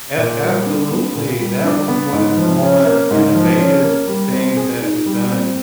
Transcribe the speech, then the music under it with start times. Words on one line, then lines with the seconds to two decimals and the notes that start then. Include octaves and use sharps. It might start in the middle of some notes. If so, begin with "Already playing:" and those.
A absolutely, that was one of the more innovative things that was done,
0.18 A#2
0.43 G3
0.66 D4
0.91 B3
1.16 A#2
1.40 G3
1.64 D4
1.88 B3
2.12 G#2
2.37 F3
2.62 C#4
2.86 A#3
3.11 G#2
3.35 F3
3.59 C#4
3.83 A#3
4.07 G3
4.33 C4
4.57 G#4
4.81 D#4
5.06 G3
5.30 C4